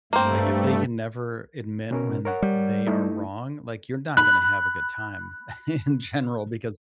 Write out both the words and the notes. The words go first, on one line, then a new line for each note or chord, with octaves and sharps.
like, if they can never admit when th they are wrong, like, you're not gonna have a good time in general because
G2 A3 A#3 C4
B2 C#4 A#4
A#4 C#5 F#5
G3
A3 D#4 E4
B5 F#6